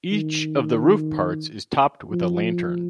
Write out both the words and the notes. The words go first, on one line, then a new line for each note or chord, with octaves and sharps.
Each of the roof parts is topped with a lantern.
D#3
F3